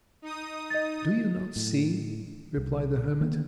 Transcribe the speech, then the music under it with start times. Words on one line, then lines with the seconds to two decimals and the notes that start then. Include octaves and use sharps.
"Do you not see," replied the hermit.
0.22 D#4 D#6
0.70 D#5 A6
1.56 A2
2.57 C2
3.21 D#3 A#3 B3 D4